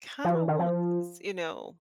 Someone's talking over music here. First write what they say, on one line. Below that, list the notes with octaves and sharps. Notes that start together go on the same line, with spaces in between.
kinda wanna s you know,
F3
E3
D#3
F3